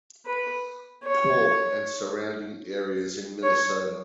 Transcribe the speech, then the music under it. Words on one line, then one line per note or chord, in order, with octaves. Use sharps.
Paul and surrounding areas in Minnesota.
B4
C#5
C#5